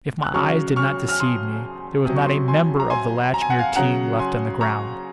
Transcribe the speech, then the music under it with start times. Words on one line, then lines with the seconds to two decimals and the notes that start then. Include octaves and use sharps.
If my eyes did not deceive me, there was not a member of the Latchmere team left on the ground.
0.23 F#6
0.34 C#3 F#3 C#6 F6
0.76 C#6 F6
1.09 F6
1.20 C6 D#6
2.05 C3 F#3 D#6
2.16 C#6
2.26 C6 D#6
2.48 G#5 C6
2.80 A#5
2.90 G#5 C6
3.34 A#5
3.41 G#5
3.50 F#5
3.58 F5 G#5
3.76 C#3 F#3 F#5 A#5
4.19 G#5 C6
4.61 A#5 C#6